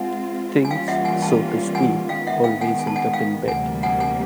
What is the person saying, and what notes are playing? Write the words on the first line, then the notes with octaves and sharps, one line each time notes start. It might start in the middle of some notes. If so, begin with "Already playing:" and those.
Things, so to speak, always end up in bed.
Already playing: G#3 C4 F4 F#5 G#5
G#5
E3 G3 A#3 C#4 F4 F5 G5
E5 F#5
F#5 G#5
G5 A5
F#5 G#5
D#3 G#3 B3 F5 G5
E5 F#5
F5 G5
F#5 G#5
G#5
A5
F#5 G#5
F5 G5
D2 C3 E3 G3 A#3 F#5 G#5
F#5 G#5
F#5 G#5